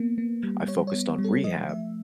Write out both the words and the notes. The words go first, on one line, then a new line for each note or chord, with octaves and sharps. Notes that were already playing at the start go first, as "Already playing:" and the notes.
I focused on rehab
Already playing: A#3 B3
A#3
G3
G3 C#5
C#5
B3
G3
A4
F3 D#5
A3 E5